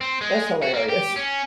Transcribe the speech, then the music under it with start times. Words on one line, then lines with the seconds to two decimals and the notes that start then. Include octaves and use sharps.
That's hilarious.
0.01 C4
0.21 G#3
0.63 F#4
0.74 A#3
0.90 G4
1.17 C#4